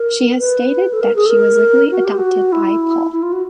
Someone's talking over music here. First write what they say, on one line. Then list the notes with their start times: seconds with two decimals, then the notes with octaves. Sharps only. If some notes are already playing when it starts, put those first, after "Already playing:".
She has stated that she was legally adopted by Paul.
Already playing: A#4
0.39 B4
0.93 A4
1.01 A#4
1.16 G#4
1.26 A4
1.30 A#4
1.92 F#4
2.05 G4
2.18 F#4
2.52 E4
3.13 E4
3.23 F4
3.33 F#4